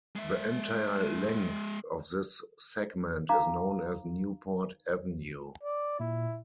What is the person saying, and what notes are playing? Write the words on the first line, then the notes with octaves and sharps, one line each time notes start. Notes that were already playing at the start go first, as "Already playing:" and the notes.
The entire length of this segment is known as Newport Avenue.
G#3 E5
D#4 F5 A#5 D6
D5
A#2 E4